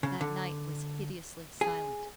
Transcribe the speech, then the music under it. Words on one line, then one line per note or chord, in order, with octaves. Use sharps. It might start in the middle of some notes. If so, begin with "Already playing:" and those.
That night was hideously silent.
C#3
D3
G#4